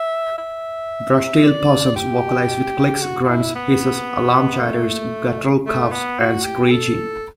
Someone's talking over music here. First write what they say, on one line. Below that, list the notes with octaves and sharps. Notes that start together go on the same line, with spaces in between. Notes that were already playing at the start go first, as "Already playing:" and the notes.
Brushtail possums vocalise with clicks, grunts, hisses, alarm chatters, guttural coughs and screeching.
Already playing: E5
E5
D5
G4
F#4
F#4
E4
B3
A3
A3
B3
F#4
G4
A4